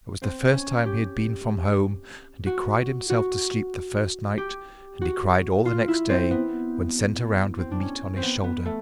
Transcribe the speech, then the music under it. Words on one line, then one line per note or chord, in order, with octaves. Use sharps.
It was the first time he had been from home, and he cried himself to sleep the first night, and he cried all the next day when sent around with meat on his shoulder.
C4
C#4
G4
F#4
F#4
G4
F#4
F4
E4
C4
B3
C4
D4
C#4
C4
B3
B3
A3